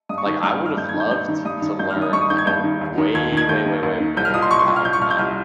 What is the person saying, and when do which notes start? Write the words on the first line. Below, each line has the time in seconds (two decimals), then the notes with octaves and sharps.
like, I would have loved to to learn, like, a way, way, way, way more about, um
0.09 G2 D#6
0.18 C#6
0.26 D#3 D#6
0.43 G2 F6
0.60 D#3
0.66 F6
0.77 G2 G6
0.89 G#6
0.94 D#3
1.00 G6
1.11 G2 G6
1.28 D#3
1.45 G2 D#6
1.62 D#3
1.79 G2 G6
1.90 F6
1.96 D#3
2.02 D#6
2.13 G2 C#6
2.21 D#6
2.30 D#3 G6
2.38 G#6
2.47 G2 G6
2.64 D#3
2.81 D#2
2.98 D#3
3.15 D#2 G#6
3.32 D#3
3.37 G#6
3.49 D#2 G6
3.66 D#3
3.83 D#2
4.00 D#3
4.17 C2 G6
4.25 F6
4.34 A#2 D#6
4.42 C6
4.51 C2 C#6
4.59 C6
4.68 A#2
4.76 F6
4.85 C2 G6
4.93 C#6
5.02 A#2 F6
5.11 G6
5.19 C2 F6